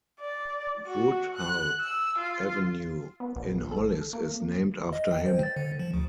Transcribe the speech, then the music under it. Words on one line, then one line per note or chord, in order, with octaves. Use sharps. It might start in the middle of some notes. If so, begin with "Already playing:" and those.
Woodhull Avenue in Hollis is named after him.
D5
F#4
F#6
E6
F4
B3
A#1
A4
A#3
D#5
G5
C5
A6
D3
F3
D2